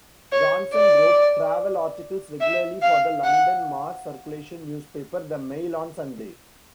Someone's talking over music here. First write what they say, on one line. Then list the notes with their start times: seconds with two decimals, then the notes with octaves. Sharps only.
Johnson wrote travel articles regularly for the London mass-circulation newspaper "The Mail on Sunday".
0.32 C#5
0.74 D5
2.40 E5
2.82 F5
3.24 F#5